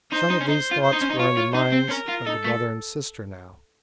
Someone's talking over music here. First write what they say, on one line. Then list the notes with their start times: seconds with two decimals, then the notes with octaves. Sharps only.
Some of these thoughts were in the minds of the brother and sister now.
0.12 D#4 C5
0.30 D#4
0.41 C#4
0.47 D#4 C5
0.71 F4
0.83 C5
0.92 D#4
1.01 C#4
1.10 D#4
1.19 F4 C#5
1.37 F4
1.55 D#4 C5
1.72 C4
1.90 C#4 A#4
2.09 F4
2.26 D#4 A4
2.44 A3